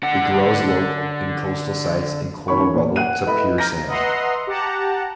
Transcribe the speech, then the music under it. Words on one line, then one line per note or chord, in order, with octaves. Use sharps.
It grows low in coastal sites in coral rubble to pure sand.
D3 F#5
D#3 C#4 C#5 B5 C#6
A#2
F#5 F#6 D#7
E4 A4 B4 D#5 B5
A#5 F6 G6 A#6
B4 D#5 E5 F#5 A#5 C6
G4 F#5 A5 A#5